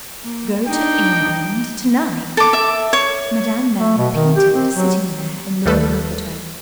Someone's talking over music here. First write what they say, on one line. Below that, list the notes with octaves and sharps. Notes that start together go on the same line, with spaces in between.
"Go to England to-night!" Madame Merle repeated sitting there and looking up at her.
A#3
D4 D#4 G5
A4 D6
E5
C#5
A3
B2
D#3
G4
C4
F#3
D#2 G3 A3 A4 B4